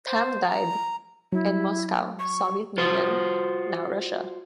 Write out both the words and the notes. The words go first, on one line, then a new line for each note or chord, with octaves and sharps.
Tamm died in Moscow, Soviet Union, now Russia.
C5
A#5
F#3 E4
C#6
F4 F#4 C5